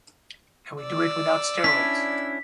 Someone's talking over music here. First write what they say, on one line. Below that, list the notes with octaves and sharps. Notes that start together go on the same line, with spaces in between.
And we do it without steroids!
D5 E6
C#4 D4 E4 B6